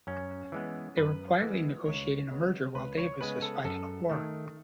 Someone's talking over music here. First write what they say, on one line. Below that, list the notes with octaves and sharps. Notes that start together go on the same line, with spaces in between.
They were quietly negotiating a merger while Davis was fighting a war.
F#2 C#4
E3 G#3 B3
F#2 B4
E3 G#3 B3
C#2 C#5
C#3 G#3 B3
C#2 B4
C#5
C#3 G#3 B3 B4
A4
F#2 A4
D#3 A3